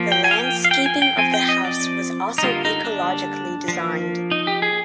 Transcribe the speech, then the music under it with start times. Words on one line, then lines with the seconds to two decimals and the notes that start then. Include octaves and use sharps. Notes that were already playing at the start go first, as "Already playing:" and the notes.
The landscaping of the house was also ecologically designed.
Already playing: F3 A#3
0.12 G5
0.24 G#5
0.31 F5
0.39 G5
0.65 F5
0.71 G5
0.86 G#5
1.02 G5
1.17 F3 C4 G#5
1.34 G5
1.49 D#5
1.65 D5
2.38 D#4
2.43 D3 G3 A#3 F4
2.65 D#4
2.85 D4
3.68 F3
3.73 A#3
4.31 D#4
4.47 G4
4.62 G#4